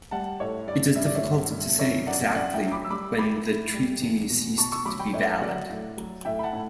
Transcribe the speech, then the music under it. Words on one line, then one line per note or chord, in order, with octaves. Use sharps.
It is difficult to say exactly when the treaty ceased to be valid.
G3 F#5 A5
A2 C#5
G2 D5
G2 E5
D5
C#5 E5
G2
G2
F#2 C#5 E5
F#2 D5 F#5
F#2 D5 F#5
E5 G5
F#3
B5 D6
E6
G3 B5 D6
A2 B5 D6
A2
G3
E2
B2
B2 A5 C#6
C#6 E6
F#3 B5 D6
G5 B5
A2 C#5 E5
F#3 D5 F#5
A2
F#3
A2 E5 G5
B5
F#5 A5
A2